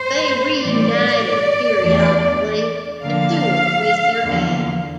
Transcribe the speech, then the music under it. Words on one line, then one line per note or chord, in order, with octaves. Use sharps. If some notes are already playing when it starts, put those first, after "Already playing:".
They reunited periodically to tour with their act.
Already playing: C5
A2 E3 G3 D5
E2 E3 A3 D4
D3 F3 A#3 D4 F5
E2 D3 F3 A#3